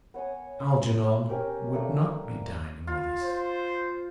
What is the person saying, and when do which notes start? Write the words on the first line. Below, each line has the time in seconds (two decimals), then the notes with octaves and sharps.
Algernon would not be dining with us.
0.14 B3 C#5 G#5 D#6
0.60 C6
1.29 C#4 G4 A#4 C5
1.73 A3 A#3 D4
2.87 F4
3.23 C5